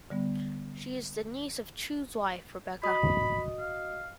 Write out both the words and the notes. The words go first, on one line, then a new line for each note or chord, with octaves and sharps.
She is the niece of Choo's wife, Rebecca.
D3 G3 B3
F#4 D#5 B5 D#6
F5